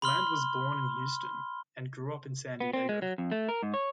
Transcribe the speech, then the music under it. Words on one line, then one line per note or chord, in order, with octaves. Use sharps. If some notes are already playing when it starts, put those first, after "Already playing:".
Land was born in Houston and grew up in San Diego.
B5 C6 F6 G7
B3
C4
G#3
F#3
F2
A3
A#4
G#2
C#5